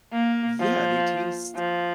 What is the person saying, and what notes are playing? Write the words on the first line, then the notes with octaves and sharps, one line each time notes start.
Yeah, they taste
A#3
F3
F3